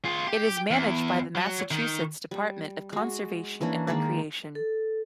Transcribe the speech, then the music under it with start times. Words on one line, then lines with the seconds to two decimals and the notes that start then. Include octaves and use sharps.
It is managed by the Massachusetts Department of Conservation and Recreation.
0.05 F4 G#4
0.27 G4
0.71 E2
1.35 F#3
1.71 D#3
2.31 G3
2.93 G#3 F#4
3.61 E3 A#3 C#4 D4
3.87 D#3 G#3 A#3 D5
4.55 A4